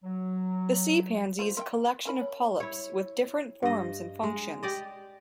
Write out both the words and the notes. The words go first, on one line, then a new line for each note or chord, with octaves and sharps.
The sea pansy is a collection of polyps with different forms and functions.
F#3
F4 G#4 C5
A#4 E5 G5 C6
C#4 A#4 B5
C#5
E4 C#5
G2 D#5
G#3
G4 D5 D#5